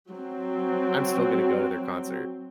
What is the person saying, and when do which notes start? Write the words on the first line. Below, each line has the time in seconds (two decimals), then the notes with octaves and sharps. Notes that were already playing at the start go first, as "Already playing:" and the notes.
I'm still gonna go to their concert."
0.10 F#3 C4